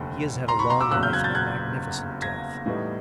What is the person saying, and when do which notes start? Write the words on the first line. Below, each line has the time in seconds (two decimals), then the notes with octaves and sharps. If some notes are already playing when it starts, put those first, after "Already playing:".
He has had a long life and a magnificent death!
Already playing: F1 D#2 D3
0.48 A#5 C6
0.59 B5 C#6
0.70 A#5 C6
0.81 D6 E6
0.91 F#1 E2 C#3 F#3 E6 F#6
1.03 F6 G6
1.13 F#6 G#6
1.24 G6 A6
1.35 F#6 G#6
2.22 G#6 A#6
2.66 A2 E3 G3 B3 D#4